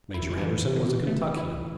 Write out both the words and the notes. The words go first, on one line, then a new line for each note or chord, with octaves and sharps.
Major Anderson was a Kentuckian.
E4
E3
D3
E3
D3
D3
A3
E4